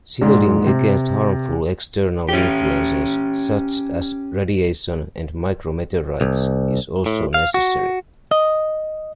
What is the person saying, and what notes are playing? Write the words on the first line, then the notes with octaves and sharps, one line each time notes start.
Shielding against harmful external influences such as radiation and micro-meteorites is also necessary.
A#1 G#2 G#3
C3
C#4 G4
C2
A2
F5
F#4
D#5